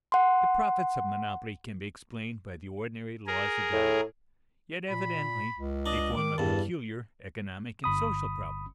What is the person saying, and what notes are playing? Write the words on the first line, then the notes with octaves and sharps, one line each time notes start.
The profits of monopoly can be explained by the ordinary laws of value, yet evidently they form a peculiar economic and social problem.
F#5 C6
G#4 A#4
A2
A#2 B5
C#2
D4 D#5
D#3 D6
E2 G2 A5
G1 B5 D#6